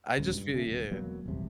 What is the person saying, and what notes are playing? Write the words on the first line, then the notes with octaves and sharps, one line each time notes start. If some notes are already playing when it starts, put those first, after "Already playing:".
I just feel yeah.
D#1 C#2 C#3
G2
C#3 F3 A3
D#1
E1 B2 F#3 A#3
D#1 G#1 E2 C3